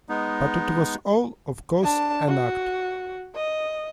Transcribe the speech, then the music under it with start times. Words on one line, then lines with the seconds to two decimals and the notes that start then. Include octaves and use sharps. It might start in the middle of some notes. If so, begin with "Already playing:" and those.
But it was all, of course, an act.
0.09 G#3 B3 D#4
1.83 D4 A5
2.27 F#4
3.35 D#5